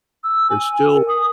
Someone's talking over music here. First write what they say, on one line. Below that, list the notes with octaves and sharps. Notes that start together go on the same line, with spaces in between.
and still
E6
G#5
A#4
D#6